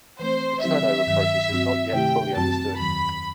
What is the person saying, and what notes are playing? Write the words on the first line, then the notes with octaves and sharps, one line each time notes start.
The turnover process is not yet fully understood.
E3 A3 C4 C5
D#3 F#3 C4 E4 G4 E5
G2 D#3 F#3
G2 F#3 C4 F#4
C3 D#3 A3 E4 G4 G5
F#2 F#3 C4 F#4 A5
E2 D#3 F#3 B5